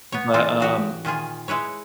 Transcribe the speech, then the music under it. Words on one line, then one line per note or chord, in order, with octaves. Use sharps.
But, um,
B3 C#5
A2 C#3 E3 C4 F4 A4
E3 F#4 G4
A#2 D#3 F4 G#4
G#3 E4 B4 C#5